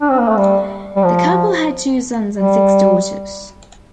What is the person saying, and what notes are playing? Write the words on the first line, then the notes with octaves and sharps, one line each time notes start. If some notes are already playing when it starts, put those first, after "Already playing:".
The couple had two sons and six daughters.
D4
C4
A#3
A3
G3
G3
F3
G3